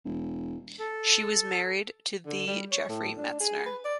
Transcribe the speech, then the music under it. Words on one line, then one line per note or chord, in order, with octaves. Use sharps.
She was married to the Jeffrey Metzner.
E1
A4
D3
G3
C#5
A2
D4
G#4
B4
D5